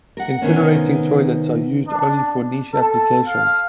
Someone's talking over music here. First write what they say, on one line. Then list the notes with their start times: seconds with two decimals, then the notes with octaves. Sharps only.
Incinerating toilets are used only for niche applications.
0.17 A#4 F#5
0.42 C3 D#3 B3 C#4
1.87 D4
2.73 A4
3.27 F5